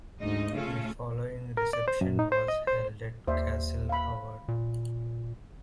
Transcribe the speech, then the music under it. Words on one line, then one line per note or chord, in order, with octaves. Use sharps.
The following reception was held at Castle Howard.
D2 G#2 D#4 D#5
C#3 A3 C#4 F4 A4
A#4
D5
C5
F#2
D#4
C5
D#5
C5
D#2 C5 D5 E5
F5 B5
A#2